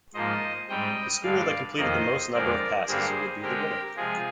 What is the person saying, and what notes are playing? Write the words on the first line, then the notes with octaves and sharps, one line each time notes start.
The school that completed the most number of passes would be the winner.
G#2 F3 A#3 C5 D#5
G#2 G3 C4 D#5 G5
G2 D3 G#3 D5 F5
F2 D#3 A#3 C5 D#5
F2 D3 G#3 C4 A#4 D5
G2 D3 G3 A#3 G#4 C5
D3 G#3 C4 G4 A#4
C3 F3 G#3 F4 G#4